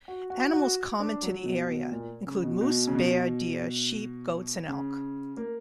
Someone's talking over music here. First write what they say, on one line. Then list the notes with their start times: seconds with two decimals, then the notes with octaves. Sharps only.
Animals common to the area include moose, bear, deer, sheep, goats and elk.
0.08 F#4
0.30 F#4
0.53 F#4
1.00 D4
1.23 F#3
1.46 B2
1.69 B2
1.92 A#2
2.27 C#3
2.43 B2
2.61 B2
2.87 C#3
2.95 B2
4.68 C#3
5.37 A#3